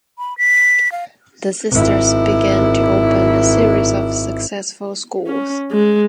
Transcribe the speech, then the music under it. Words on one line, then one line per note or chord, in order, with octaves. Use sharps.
The Sisters began to open a series of successful schools.
B5
B6
F5
G#1 E4
C#4
G#3